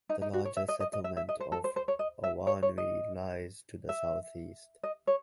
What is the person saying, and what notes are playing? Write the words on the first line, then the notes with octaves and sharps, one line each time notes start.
The larger settlement of Awanui lies to the southeast.
D#4
D#4
F#4
C#5
E5
D#5
D#5
D#5
E5
E5
D#5
C5
A4
C5
C5
C#5
D#5
E5
C#5
C#5
D#5
E5
D#5
C#5